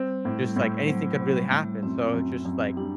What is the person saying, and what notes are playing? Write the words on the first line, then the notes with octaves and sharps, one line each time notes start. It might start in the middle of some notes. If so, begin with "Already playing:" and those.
just, like, anything could really happen so it's just, like,
Already playing: G3 C4
A2
G3
A2
F#3 C4
F#3
C4
G3
A2
G3
F#2 C4
F#2
F#2
G3 D4